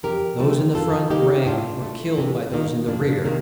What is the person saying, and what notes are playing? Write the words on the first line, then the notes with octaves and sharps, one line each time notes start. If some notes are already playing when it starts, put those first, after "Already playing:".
Those in the front rank were killed by those in the rear.
F2 G4 A#4
D3 F3 A3
F2 F4 A4
D#3 A#3 D#4 G4
A2 D4 F4
A3
C3
D#3 A#3
F2 A#3 D4
C3 D#3 A#3